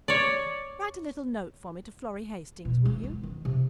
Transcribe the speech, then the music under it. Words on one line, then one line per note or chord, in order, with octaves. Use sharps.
Write a little note for me to Florrie Hastings, will you?
C#5 D5
B2
C#2
B3
D#3
C3